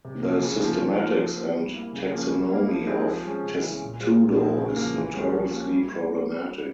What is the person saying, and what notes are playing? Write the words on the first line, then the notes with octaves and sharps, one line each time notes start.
The systematics and taxonomy of "Testudo" is notoriously problematic.
C3
F3 A#3
C#3
F3 A#3 F4
F3
A#3 F4 A#4
F3
C4 G4
G3
A#3 E4
C#3
F3 A#3 C#4
G3
A#3 E4
F3
G#3 C4 E4 G4
F3
G#3 C#4
C#3
E3 G#3 C#4 E4
A#2
G#3 C4 F4 G#4
A#2
F3 G#3 C4 E4
C#3
F3 A#3
E3
G#3 C#4 G4
F3
A#3 C#4 G4
G3